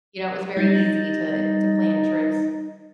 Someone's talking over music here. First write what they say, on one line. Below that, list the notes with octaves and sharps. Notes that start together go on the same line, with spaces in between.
you know, it was very easy to to plan trips
G3 D#4 A6 A#6